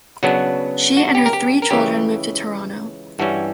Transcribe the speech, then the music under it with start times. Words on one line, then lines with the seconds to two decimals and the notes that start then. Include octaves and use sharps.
She and her three children moved to Toronto.
0.23 C#3 F#3 B3 D4 F#4
0.97 F#4
1.15 G4
1.26 A#4
1.33 G4
1.62 A#4
1.70 C#2 C#3 E3 G4
3.19 G2 E3 G3 C#4 F#4